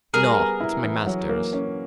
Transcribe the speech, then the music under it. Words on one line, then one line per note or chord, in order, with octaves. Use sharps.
"No, it's my master's."
G3 G#4 A#4
B3
E4
E3
F#3
A#3
C#4